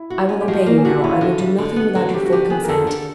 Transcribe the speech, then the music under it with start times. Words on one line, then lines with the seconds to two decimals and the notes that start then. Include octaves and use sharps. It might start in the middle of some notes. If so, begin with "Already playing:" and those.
I will obey you now; I will do nothing without your full consent.
Already playing: E4
0.10 F#4
0.29 C#4
0.41 G4
0.48 F3 F#4
0.66 A#3
0.77 G#4
0.84 F#4 G4
1.00 C#4 E4
1.11 F4
1.21 D3 F#4
1.40 G3
1.58 D3
1.76 B3
1.95 D3 F#4
2.13 G3 G4
2.26 F#4
2.32 D3 G4
2.50 B3 G#4
2.64 A#4
2.68 F2 A4
2.87 D3